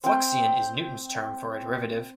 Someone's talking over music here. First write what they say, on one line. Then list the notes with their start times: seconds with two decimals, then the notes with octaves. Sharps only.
Fluxion is Newton's term for a derivative.
0.04 C4 G5